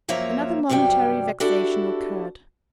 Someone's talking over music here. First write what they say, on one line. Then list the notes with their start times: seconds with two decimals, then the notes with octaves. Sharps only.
Another momentary vexation occurred.
0.08 F#2 F3 A#3 C#5 E5 A#5
0.69 G2 C3 F#3 G3 G5
1.40 D4 E4 F#4 G4 A4